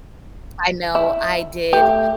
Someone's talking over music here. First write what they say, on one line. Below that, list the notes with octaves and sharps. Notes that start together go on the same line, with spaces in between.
I know I did
E4
A3 G4